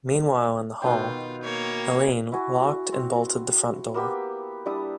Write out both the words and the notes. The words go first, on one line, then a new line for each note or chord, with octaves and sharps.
Meanwhile, in the hall Helene locked and bolted the front door.
B2 D#3 F4 G5
A#3 C#5
E4 F#4 G#5
C4
A#3 B3 G4 E6
G3 D4 E4 D#6